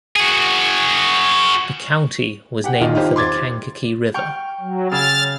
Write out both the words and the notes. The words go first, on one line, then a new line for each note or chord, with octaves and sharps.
The County was named for the Kankakee River.
F#4 G#4
G4 F#5 G5
D#1 G#1 D#3 F4 D#5
D#4 F4 G4 C5
C6 D6 G#6 A6
G5 C#6 F6
F#3
C#3 E6 F6 A6